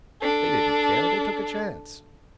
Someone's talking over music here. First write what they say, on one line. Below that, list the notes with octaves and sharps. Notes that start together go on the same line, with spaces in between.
They didn't care! They took a chance.
D4 A4